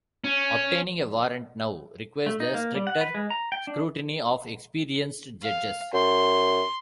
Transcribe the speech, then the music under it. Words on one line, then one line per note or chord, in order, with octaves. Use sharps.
Obtaining a warrant now requires the stricter scrutiny of experienced judges.
C#4
A3
D#4
A#3
G3
F#5
B4
G#3
A#5
G5
D4
F5
F#2 C6